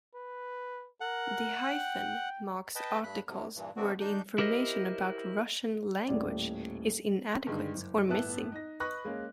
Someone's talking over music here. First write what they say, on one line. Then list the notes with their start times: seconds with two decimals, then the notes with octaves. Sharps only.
The "-" marks articles where the information about Russian language is inadequate or missing.
0.15 B4
1.01 A#4 F#5
1.70 G5
2.76 B4 D#5 G5 A5
3.03 G2 B5 F#6
3.28 A2 C3 F#3
3.56 G2 A#2 E3
3.77 C3 D#3 B3 C4 D4 F#4
4.00 D#3 D4 D#4 G6
4.38 E4 G4 A#4 C5 D#5
6.08 D#1 A2 D5
7.47 G2 D3 D#3 G#3
7.74 F#1
8.08 G1 A2 B3 E5 A5 F#6
8.52 D#4 A#6
8.80 B4 D#5 B5 C#6 F#6 A#6
9.05 G#3 A#3 C#4